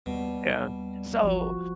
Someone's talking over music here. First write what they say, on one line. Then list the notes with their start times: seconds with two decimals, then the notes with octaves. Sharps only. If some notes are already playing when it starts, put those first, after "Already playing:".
yeah, so
0.06 D#2 B2 G3
1.23 G#1 F3 F#4